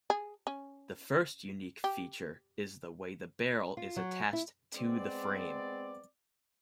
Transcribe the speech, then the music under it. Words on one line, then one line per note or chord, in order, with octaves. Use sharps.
The first unique feature is the way the barrel is attached to the frame.
G#4
C#4
G4
F4
F#3
E4
G#3 B3 C4 D5